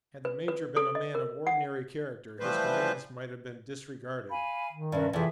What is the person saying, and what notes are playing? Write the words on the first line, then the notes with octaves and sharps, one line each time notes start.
Had the major been a man of ordinary character his commands might have been disregarded.
B4
B4
A4
D#5
A#4
F#5
E3 F3 G3 A3 B4 C5
F5 G#5 B5
D#3
G2 C3 C#4 A#4 B4
F2 C3 E3 G#4 E5